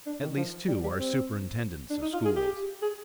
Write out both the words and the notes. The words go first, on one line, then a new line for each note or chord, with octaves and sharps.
At least two are superintendents of schools.
D4
D#3
F3
G3
G3
C4
D4
D#4
F4
G#4
G4
G#4